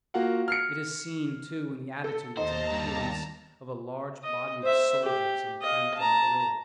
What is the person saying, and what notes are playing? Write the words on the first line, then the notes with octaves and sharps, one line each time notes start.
It is seen, too, in the attitudes and appearance of a large body of soldiers encamped in a grove.
A#3 F4 F#4 F5 F#5
F6 C7 C#7
A4
D#2 D#4 C5 A5 A#5
G2
D#5
C5 E5
G4
D#5 F5
A5 A#5